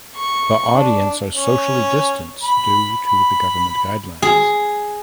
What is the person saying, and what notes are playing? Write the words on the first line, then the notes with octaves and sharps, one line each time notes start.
The audience are socially distanced due to the Government guidelines.
C#6
D4
C#4
B5
B5
G#4